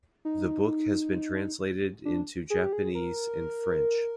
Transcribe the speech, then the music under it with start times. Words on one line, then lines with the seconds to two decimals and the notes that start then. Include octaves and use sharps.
The book has been translated into Japanese and French.
0.25 D#4
2.05 D4
2.50 G#4
2.64 G4
2.73 G#4
2.95 A#4